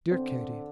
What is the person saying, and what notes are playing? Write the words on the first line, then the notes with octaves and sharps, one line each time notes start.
Dear Katie!
D3 C4